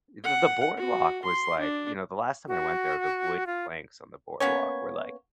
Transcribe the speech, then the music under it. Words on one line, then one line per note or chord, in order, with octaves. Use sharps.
The the boardwalk was, like you know, the last time I went there, the wood planks on the boardwalk were, like,
F#5
F#4
C6
D4
F#4
F4
A#3 B3 C#4 C#5